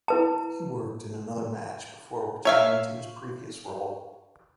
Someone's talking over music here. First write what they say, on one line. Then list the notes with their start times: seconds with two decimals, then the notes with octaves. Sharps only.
He worked in another match before returning to his previous role.
0.08 E4 B4 A5
2.45 C#5 E5 F5